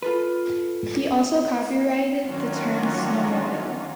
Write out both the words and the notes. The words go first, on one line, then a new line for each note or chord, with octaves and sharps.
He also copyrighted the term "snowmobile".
F4 A4 B4
D#3 F#3 C#4 D4 F4 F#4